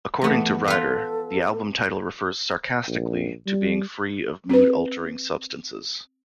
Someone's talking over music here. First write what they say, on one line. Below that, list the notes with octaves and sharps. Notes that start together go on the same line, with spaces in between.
According to Ryder, the album title refers sarcastically to being free of mood-altering substances.
E2 A3 B3
F4 A4 B4
A#1
G3
C4 B4